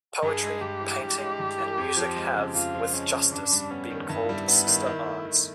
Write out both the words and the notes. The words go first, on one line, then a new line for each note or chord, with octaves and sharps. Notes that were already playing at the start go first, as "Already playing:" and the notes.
Poetry, painting, and music have, with justice, been called sister arts.
G2 G#4
G#3
G2 G4
E3
G2
G#3
G2
E3
F2
F3
G#3
C#3
F2 F4
F3
G#3 C#4
C#3
G2 D4
G3
B3 C#4
D#3
G2 E4
G3
B3
D#3
D#3
A3
D#3